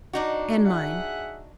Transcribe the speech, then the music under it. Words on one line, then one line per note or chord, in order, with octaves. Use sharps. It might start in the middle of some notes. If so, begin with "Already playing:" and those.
"And mine."
D4 D#4 F#4
G#4 E5 F#5